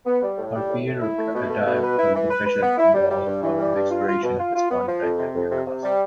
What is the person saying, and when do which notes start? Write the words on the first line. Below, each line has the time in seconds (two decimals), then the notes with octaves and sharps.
Harper retired from professional football after the expiration of his contract at Newcastle.
0.06 B3
0.22 G3
0.38 A2
0.54 G3
0.70 A2
0.86 A2
1.02 E4
1.18 A3
1.35 B2
1.50 A3
1.66 B2
1.83 B4
1.98 E4
2.15 E3
2.31 B4
2.47 B4
2.62 B3
2.78 E4
2.94 G3
3.10 G3
3.26 G2
3.43 E3
3.59 G3
3.75 G2
3.90 F4
4.07 F4
4.23 B2
4.39 F4
4.55 F4
4.71 B3
4.87 F3
5.03 F2
5.19 C3
5.35 F2
5.51 C3
5.67 C3
5.83 G3